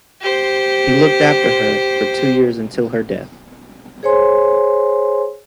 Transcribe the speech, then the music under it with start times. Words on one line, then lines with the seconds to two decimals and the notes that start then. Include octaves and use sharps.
He looked after her for two years until her death.
0.21 G4 C5
4.03 G#4 C5 C#5 G#5 C6